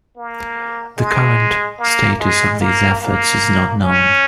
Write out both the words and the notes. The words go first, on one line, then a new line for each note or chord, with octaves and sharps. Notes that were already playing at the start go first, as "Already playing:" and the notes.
The current status of these efforts is not known.
A#3
G#3
A#3
G#3
A#3
A#3
C#4